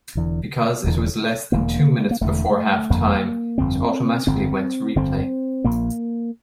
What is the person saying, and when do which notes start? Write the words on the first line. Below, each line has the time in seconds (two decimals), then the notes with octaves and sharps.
Because it was less than two minutes before halftime, it automatically went to replay.
0.15 E1 E2 D3
0.84 E1 E2 D3
1.52 E1 E2 D3 A#3
2.11 A#3
2.21 E1 E2 D3 A3
2.90 G1 F2 D3 A#3
3.58 G1 F2 D3 C4
4.27 G1 F2 D3 C4
4.96 G1 F2 D3 C4
5.64 A#1 A#2 A#3